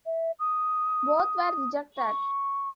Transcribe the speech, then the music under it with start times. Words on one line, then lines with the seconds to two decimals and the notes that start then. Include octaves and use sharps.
Both were rejected.
0.06 E5
0.39 D#6
1.98 C#6